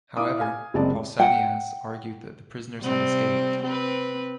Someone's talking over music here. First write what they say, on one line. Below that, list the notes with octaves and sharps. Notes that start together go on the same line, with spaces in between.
However, Pausanias argued that the prisoners had escaped.
E4 D5 F5 D6 D#6
F5 G#5
F#1 C3 G#3 C4 D5 A5
F#5 G5
C3 G3 C4
C4 B4